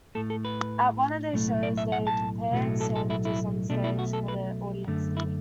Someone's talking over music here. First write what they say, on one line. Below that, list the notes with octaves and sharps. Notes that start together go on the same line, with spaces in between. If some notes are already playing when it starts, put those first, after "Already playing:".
At one of their shows they prepared sandwiches onstage for the audience to eat.
A2 A3 A4
A4
B4
B1 A2 A3
D5
E5
F#5
A5
B1 A2 F#3 A3
A4
A4
E4
E4
B1 B2 A3 D4
E4
F#4
A4
B4
F#2 D3 A3
E4